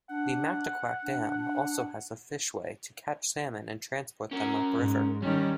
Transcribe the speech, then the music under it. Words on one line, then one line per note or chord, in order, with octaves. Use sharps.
The Mactaquac Dam also has a fishway to catch salmon and transport them upriver.
D4 F#5
D4
C#4 A#4
G#2
D#3 G3 C#4